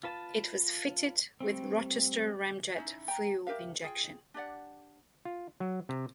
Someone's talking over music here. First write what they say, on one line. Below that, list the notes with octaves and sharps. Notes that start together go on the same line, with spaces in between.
It was fitted with Rochester Ramjet fuel injection.
F4 B4 A5
G3 A3 C4
C#4 D#4 E4
G5 A#5
G4 A#4 E5 F5
F4 G#4 G5
D4 G4 D5 F#5
F4
F#3
C3